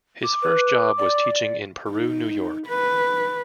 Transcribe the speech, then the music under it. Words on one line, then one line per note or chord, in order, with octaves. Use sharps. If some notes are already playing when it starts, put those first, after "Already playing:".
His first job was teaching in Peru, New York.
D6
B4
D5
D#4
B4